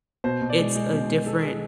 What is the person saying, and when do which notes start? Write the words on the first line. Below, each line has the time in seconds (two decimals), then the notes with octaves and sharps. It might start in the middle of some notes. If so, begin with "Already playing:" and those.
it's a different
0.24 B2 C5
0.42 B2
0.50 D5
0.58 G#3
0.75 G#3
0.92 B2
1.09 B2
1.26 G#3 A4
1.43 G#4